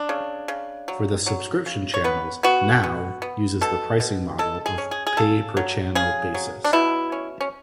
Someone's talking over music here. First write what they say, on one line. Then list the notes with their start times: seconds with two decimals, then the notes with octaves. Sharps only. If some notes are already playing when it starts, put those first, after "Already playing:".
For the subscription channels, "Now" uses the pricing model of pay-per-channel basis.
Already playing: D4
0.09 C#3
0.48 C#3
0.88 F#3
1.26 F#3
1.66 C#3
1.94 C#5
2.04 B3 B4
2.43 B3 F#4
2.83 B3
3.22 B3
3.61 B2 A4
4.00 B2
4.39 G#3 A4
4.66 G#4
4.78 C#4
4.91 G#4
5.07 G#4
5.17 C#3 A4
5.57 F#3
5.95 C#3 G#4
6.34 F#3
6.65 D4
6.73 B2 E4
7.12 C#4
7.41 C#4